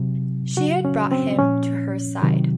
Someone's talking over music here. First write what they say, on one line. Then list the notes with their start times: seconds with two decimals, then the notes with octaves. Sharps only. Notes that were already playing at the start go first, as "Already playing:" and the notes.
She had brought him to her side.
Already playing: C3 F#3
0.57 C#3 F#3 F#4
0.85 C#4
1.12 C4
1.39 A#2 F3 C#4
2.22 C3 D#3 F#3